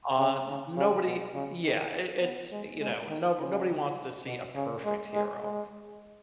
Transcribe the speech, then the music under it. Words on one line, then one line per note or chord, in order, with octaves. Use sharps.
Uh, n nobody Yeah, it it's you know, nob nobody wants to see a perfect hero.
C#3
C#3
C#3
B2
C#3
D#3
B3
G#3
G#3
D#3
C#3
B2
C#3
G#3
G#3
G#3